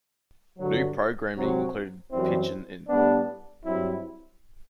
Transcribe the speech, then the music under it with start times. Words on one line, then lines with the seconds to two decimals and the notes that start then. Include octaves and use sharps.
New programming included Pitchin' In.
0.58 G2 D3 F#3
1.35 C2 C3 F#3 C4
2.11 F#2 E3 G3 C4 E4
2.88 A2 G3 B3 D4
3.65 G2 F#3 C4 E4